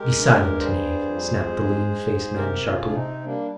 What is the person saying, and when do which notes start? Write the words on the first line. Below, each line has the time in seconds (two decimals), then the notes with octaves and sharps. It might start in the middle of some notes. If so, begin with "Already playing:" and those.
"Be silent, knave!" snapped the lean-faced man, sharply.
Already playing: G#3 G4 A#4
0.14 G2
0.57 G3 G#4 C5
1.02 F2
1.47 G#3
1.91 G#2
2.35 C3 G4 A#4
2.65 F4 G#4
2.79 C3 D4
2.94 C4 D#4
3.23 G3 A#3 D4